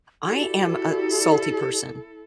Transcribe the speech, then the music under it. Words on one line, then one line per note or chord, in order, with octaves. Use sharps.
I am a salty person,
E4 F#4 G4 A4 D5